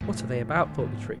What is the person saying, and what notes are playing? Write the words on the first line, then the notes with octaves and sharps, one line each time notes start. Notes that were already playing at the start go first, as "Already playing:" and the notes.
"What are they about?" thought the Tree.
B1 G#2 F3 A3
D2 D3 A3
G#2 F3 B3